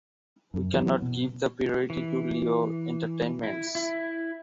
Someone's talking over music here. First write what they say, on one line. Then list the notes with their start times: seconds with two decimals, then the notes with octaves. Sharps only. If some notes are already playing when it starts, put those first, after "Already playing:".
We cannot give the priority to Lao entertainments.
0.54 F#2
0.73 E3 F#3 B3
1.02 B2
1.90 E3
3.43 E4
3.75 E4